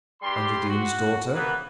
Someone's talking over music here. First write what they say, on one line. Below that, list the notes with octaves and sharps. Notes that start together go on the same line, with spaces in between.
"And the Dean's daughter?"
G2 G3 G4 C6
F#4
E3 A#3 B3 B4